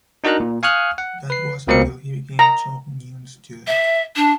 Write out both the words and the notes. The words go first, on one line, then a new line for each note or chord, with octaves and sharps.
That was until he became Cho Hunhyun's student.
D4 D#4 F#4 A#4 A#5 F#6
A#2
F5 G#5 C#6 D#6 F6 F#6
F#5
B4 C7
C#2 B2 A#3 C4 A#4 C#7
A#5
E5
D4